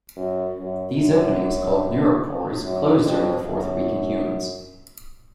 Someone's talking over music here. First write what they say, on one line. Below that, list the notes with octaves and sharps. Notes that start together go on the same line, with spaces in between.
These openings, called neuropores, close during the fourth week in humans.
F#2
F#2
F#2
F#2
F2
F#2